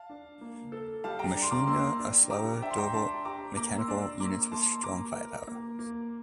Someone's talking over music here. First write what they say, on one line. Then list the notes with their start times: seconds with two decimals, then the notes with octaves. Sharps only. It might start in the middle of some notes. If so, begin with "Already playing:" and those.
Machina are slower, durable mechanical units with strong firepower.
Already playing: F5 A5
0.10 D4
0.41 A#3
0.72 A4
1.04 G3 F5 A5
1.19 G5 A#5
1.35 D4
1.42 C6
1.51 A#5 D6
1.67 A#3 C6 E6
1.99 D4
2.30 G4 A#5 D6
2.62 D4 E5 G5
2.71 C6
2.78 G5 A#5
2.94 D4 A5 C6
3.25 G4 A#5 D6
3.57 A#3 A#5 D6
3.78 C6 E6
3.88 D4
3.99 C6 E6
4.20 A#3 A#5 D6
4.51 A#3 A5 C6
4.83 A#3 A#5 D6
5.14 A#4
5.47 A#3
5.79 A#3